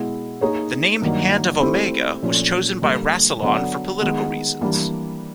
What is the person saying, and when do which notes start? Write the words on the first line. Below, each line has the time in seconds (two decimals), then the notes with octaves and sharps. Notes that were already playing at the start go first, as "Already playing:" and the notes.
The name "Hand of Omega" was chosen by Rassilon for political reasons.
Already playing: B2 G#3 B3 E4
0.41 A#3 D#4 G#4 C#5
1.02 G2 D#3 F#3 A#3
1.61 A3 C4 E4 G4 C5
2.22 A#2 F3 A3 C#4
2.81 D3 G3 A#3
3.42 D3 F#3 B3 D4
4.02 D#3 G#3 B3
4.61 E3 G3 A#3 D4